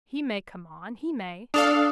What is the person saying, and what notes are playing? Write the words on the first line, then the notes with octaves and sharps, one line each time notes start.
He may come on--he may.
D4 A4 D5 F5 D#6 F7